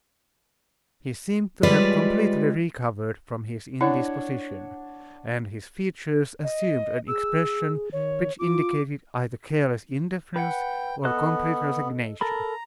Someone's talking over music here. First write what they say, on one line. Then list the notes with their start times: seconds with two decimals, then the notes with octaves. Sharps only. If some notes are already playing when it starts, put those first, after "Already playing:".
He seemed to have completely recovered from his indisposition; and his features assumed an expression which indicated either careless indifference, or complete resignation.
1.63 G3 G#3 F4 B4 C#5 D5
3.81 D4 E4 C#5 F#5
6.44 D#5
7.07 G#4 E6
7.93 D#3 C#5
8.39 F4 D6
10.36 B4 F#5 G5
11.05 B3 A4 D#5 F#6
12.21 A4 A#4 A#5 B5